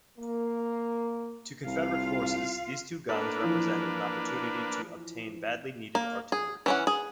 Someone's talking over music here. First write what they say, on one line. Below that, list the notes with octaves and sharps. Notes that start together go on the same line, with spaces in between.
To Confederate forces, these two guns represented an opportunity to obtain badly needed artillery.
A#3
C2 F4 F5
A#3 D4 A4 B4
E3 F3 E4
A#3
G#4
E3 C#4 F#5
G#4